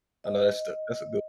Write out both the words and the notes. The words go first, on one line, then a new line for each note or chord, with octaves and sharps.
I know that's the that's a good no
D#5